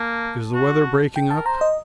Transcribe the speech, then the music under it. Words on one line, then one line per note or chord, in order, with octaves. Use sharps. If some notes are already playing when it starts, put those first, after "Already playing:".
Is the weather breaking up?
Already playing: A#3 A5
F#4
G5
A#4 A5
C5 A#5
D#5